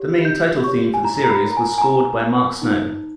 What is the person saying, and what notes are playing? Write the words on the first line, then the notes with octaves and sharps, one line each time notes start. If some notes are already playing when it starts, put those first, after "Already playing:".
The main title theme for the series was scored by Mark Snow.
Already playing: G4 C#5
E4 G6
G4 C#5 C#6
G#5
E4 A#5
A#5
B5
A#4 C#5
A#5
G#5
G#5
E4 A#5
A#4 C#5
D#4